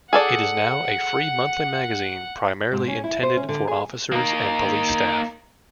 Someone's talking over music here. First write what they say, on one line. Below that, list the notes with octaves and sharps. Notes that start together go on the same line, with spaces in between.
It is now a free monthly magazine primarily intended for officers and police staff.
G#4 A4 D5 F#5
G#2
C#4
E4
C5
C#4
D3
G#4
A#3 D#4